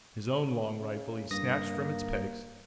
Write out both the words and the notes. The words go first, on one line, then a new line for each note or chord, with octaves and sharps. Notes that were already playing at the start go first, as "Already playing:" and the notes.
His own long rifle he snatched from its pegs.
C#3
G2 A#3 D#6 A#6